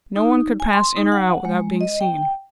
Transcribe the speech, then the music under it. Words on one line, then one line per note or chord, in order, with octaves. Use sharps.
No one could pass in or out without being seen.
D#4
G#5
C6
D#4
F#5
G#3
D#5
G5